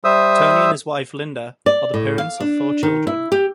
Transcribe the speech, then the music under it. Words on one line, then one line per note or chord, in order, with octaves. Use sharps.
Tony and his wife, Linda, are the parents of four children.
G3 C5 E5 D#6 E6
D5
A2
F5
D4
D#3
E4
G4